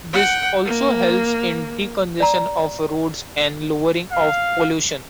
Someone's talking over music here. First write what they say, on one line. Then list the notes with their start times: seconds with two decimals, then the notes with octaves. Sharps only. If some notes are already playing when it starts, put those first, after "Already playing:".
This also helps in decongestion of roads and lowering of pollution.
0.13 F#5 G5
0.65 A#3
2.20 D5 A#5
4.12 F5